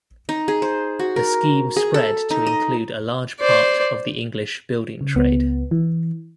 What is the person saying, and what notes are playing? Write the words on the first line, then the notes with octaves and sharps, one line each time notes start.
The scheme spread to include a large part of the English building trade.
D#4
G#4
C5
F#4
A#4
G#4
A4
D#4
D#5
C5 D5
C#3
C#2 B3
E3